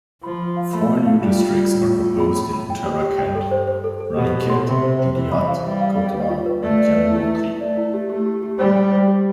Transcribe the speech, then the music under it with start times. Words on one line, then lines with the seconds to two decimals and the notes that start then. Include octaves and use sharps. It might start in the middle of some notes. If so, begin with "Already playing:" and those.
Four new districts are proposed in Uttarakhand: Ranikhet, Didihat, Kotdwar and Yamunotri.
0.23 F3 B5
0.40 B5
0.57 F5
0.72 A3 B5
0.89 B5
1.06 F5
1.22 G3 F4
1.39 F4
1.55 F4
1.71 A2 F4
1.88 F4
2.04 F4
2.20 B5
2.36 B5
2.53 B5
2.70 G5
2.86 G4
3.02 G4
3.18 G2 G5
3.35 A4
3.51 C5
3.68 C5
3.84 A4
4.00 A4
4.17 B2 G4
4.33 G4
4.50 C6
4.66 C3 G4
4.82 C5
4.99 C5
5.15 E3 C5
5.32 B5
5.48 F5
5.64 G3 B5
5.81 F5
5.97 F5
6.13 B4
6.29 F4
6.46 B4
6.63 A3 D5
6.79 D5
6.95 B4
7.11 E4
7.28 E4
7.44 E4
7.61 A3 D5
7.77 E4
7.94 G4
8.09 A3 G4
8.26 G4
8.43 G4
8.59 G3 C5
8.75 G5
8.92 C5
9.08 G4